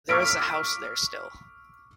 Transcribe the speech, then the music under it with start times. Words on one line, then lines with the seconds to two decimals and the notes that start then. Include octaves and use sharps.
There is a house there still.
0.09 C#6 D6 E6 F6 B6 D7